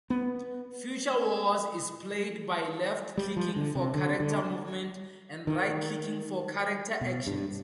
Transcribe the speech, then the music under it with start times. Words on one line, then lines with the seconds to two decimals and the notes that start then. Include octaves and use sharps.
"Future Wars" is played by left-clicking for character movement, and right-clicking for character actions.
0.10 B3
3.17 G3
3.37 F3
3.56 D3
3.75 C3
3.94 D3
4.20 D3
5.47 D#3
7.01 B2
7.27 G2